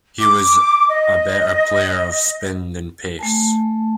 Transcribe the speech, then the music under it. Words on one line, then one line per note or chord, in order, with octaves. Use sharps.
He was a better player of spin than pace.
D6
D#5
A3 G#5 A5